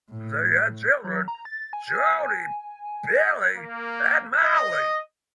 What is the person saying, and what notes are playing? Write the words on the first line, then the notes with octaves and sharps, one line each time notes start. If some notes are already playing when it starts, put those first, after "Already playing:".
They had children Jody, Billy and Molly.
A2
F#3
A#5
A6
G#5
G#5
A#3
D#5